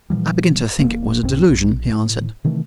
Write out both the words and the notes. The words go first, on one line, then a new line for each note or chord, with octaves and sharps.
"I begin to think it was a delusion," he answered.
A#2 E3 F3 G3
E1 E2 A#3
F#1 D#2 A2 C4
A#1
A2
C3 D#3 E3 A3